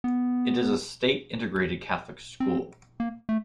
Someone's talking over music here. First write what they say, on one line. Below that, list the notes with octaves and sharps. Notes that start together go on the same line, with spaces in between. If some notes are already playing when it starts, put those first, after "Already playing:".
It is a state integrated Catholic school.
B3
C4
A#3
A3